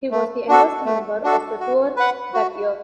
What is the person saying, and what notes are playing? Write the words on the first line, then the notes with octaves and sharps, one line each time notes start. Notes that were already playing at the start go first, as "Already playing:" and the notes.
He was the youngest member of the tour that year.
A3
D4 F#4 A4
A3
D4 F#4 A4
F#4
B4 F#5
F#4